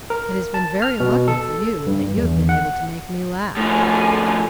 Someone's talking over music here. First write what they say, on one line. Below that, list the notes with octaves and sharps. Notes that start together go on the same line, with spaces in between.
'It has been very lucky for you that you have been able to make me laugh.
A#4
A5
F6
B2
A4
G2
E2
F#5
A2 F3 A4 G#5